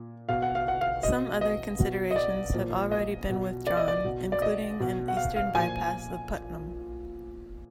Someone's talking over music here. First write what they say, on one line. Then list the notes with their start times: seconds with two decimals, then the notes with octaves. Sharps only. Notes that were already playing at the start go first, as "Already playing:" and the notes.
Some other considerations have already been withdrawn, including an eastern bypass of Putnam.
Already playing: A#2
0.29 B2 F5
0.42 F#5
0.55 F5
0.68 F#5
0.81 F5
1.03 B2 D#5
1.41 D#5
1.79 B2
2.11 D#5
2.16 D5
2.54 A#2 F3
2.91 D#5
3.30 B2
3.67 D5
3.77 D#5
3.88 D5
4.04 B2
4.32 D5
4.42 D#5
4.80 B2
5.08 F#5
5.17 F5
5.36 F5
5.55 A#2 F3 G#5